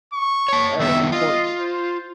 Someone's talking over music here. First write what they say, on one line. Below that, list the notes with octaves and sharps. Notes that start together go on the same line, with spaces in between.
are important
C#6
C#5 A5
D#3 G3 B3 E5
F4 D#5
C5